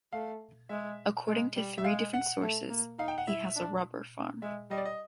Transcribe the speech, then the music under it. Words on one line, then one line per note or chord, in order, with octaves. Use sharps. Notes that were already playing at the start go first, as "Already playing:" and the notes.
According to three different sources, he has a rubber farm.
A3 F5
G#3 E5
G#3
G3
E5
G#3 F5
F#5
A3
A#3
D#4 F5
G5
F#5
E4 E5
D4
G#3 E5
G3 D#5
D5
D#5